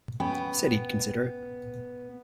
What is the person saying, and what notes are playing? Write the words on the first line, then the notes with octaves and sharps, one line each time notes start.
Said he'd consider it.
B3 C#4 G5 B5